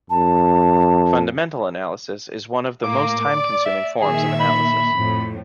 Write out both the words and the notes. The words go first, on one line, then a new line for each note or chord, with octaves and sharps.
Fundamental analysis is one of the most time consuming forms of analysis.
F2 A5
A2 A#3 D6
D5
E5
A#2 D#3 G#4 E5
B5
F2 A2